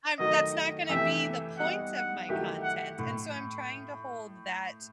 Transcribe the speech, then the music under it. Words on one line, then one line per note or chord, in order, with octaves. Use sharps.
I'm that's not gonna be the point of my content, and so I'm trying to hold that
D#3 F#3 A3 D#4 D#5
C3 E3 A3 E4 G4 E5
G3 B3 D#4 F#4 F#5
F#5
D#3 F#3 A3 E4 G4
F#5
A2